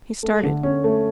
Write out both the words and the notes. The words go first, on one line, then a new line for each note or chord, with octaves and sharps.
He started.
A3
D3
C#4
A3